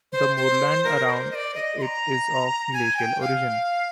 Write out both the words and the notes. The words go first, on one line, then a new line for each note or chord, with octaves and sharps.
The moorland around it is of glacial origin.
C5
C5
A#4
D5
C5
D#5
D5
D#5
C6
A#5
G#5
G5
F5